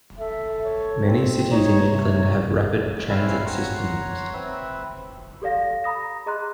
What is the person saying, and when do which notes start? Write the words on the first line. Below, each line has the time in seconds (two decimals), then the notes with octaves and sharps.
Many cities in England have rapid transit systems.
0.19 A4 E5
0.65 C#5
1.05 C4
1.51 D#4 C#5
1.86 C3
3.09 C4 C#4 E4 B4 F5 G#5
3.45 C#5 F#5 A#5 C6
4.33 C4 B4 E5
5.42 G4 A4 D5 F5 A#6
5.84 A#5 B5 D#6 A#6
6.26 G#4 D#5 A#5 C6 F#6